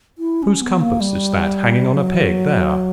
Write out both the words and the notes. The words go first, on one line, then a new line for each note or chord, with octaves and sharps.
Whose compass is that hanging on a peg there?
E4
C#4
B3
A#3
G3
F#3